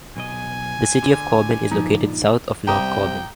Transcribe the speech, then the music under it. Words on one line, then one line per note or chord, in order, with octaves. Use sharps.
The city of Corbin is located south of North Corbin.
B1 B2 D#5 G#5
D3
G2 A#2 F3 D#4
C3 G3 G5 A#5 D6 D#6